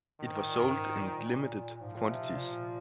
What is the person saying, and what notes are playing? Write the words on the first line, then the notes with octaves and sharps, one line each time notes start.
It was sold in limited quantities.
G#2 D#3
A#2
F#2
G#2
A#2
G#2 F3
A#2
C3
A#2